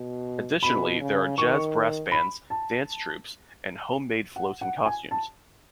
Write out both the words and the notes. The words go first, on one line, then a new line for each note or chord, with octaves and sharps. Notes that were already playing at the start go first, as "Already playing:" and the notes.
Additionally, there are jazz brass bands, dance troupes, and home-made floats and costumes.
Already playing: B2
B2 B5
C#3
D#3 C#6
B5
A5
F#5
F#5
G#5
A5